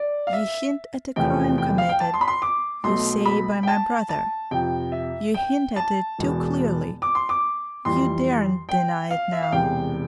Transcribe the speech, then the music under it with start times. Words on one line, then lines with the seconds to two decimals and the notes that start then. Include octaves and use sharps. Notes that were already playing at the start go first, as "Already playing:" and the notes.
You hint at a crime committed, you say, by my brother. You hint at it too clearly; you daren't deny it now.
Already playing: D5
0.27 F5
0.33 E5
1.16 F1 E2 C3 F3 A3 G5
1.58 G5
1.78 F5
1.89 G5
2.00 A5
2.14 C6
2.21 B5
2.28 C6
2.42 D6
2.84 B1 B2 A3 C6
3.26 B5
3.63 G5
3.68 A5
4.09 A5
4.51 F2 C3 F3 G5
4.92 E5
5.34 G5
5.76 A5
6.18 E1 E2 B2
7.02 D6
7.15 C6
7.29 D6
7.85 F2 E3 G3 C6
8.69 G5
9.11 F5
9.33 E5
9.43 F5
9.52 E1 E2 C3 G5